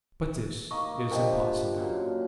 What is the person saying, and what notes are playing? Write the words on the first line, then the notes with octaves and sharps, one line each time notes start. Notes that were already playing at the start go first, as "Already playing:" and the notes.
But this is impossible.
A#3 D#4 D#5 C#6
D3 F3 G4 A#4 D#5
F#2 A#2 F#5